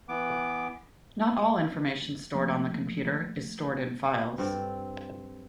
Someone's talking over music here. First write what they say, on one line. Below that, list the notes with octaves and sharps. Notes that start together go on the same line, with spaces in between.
Not all information stored on the computer is stored in files.
E3 B3 D6
F3 A3 A#3
G2 C4 A4